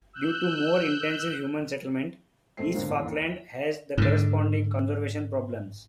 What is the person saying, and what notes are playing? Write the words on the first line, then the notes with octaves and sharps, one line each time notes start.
Due to more intensive human settlement, East Falkland has the corresponding conservation problems.
E6 F#6 G6
E1 A3 C4 C7
A1 D#2 G#2 D3 A#3 C5
E2
D#2
G#2 D3